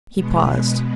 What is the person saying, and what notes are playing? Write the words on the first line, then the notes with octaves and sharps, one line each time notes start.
He paused.
B2 G#3 B3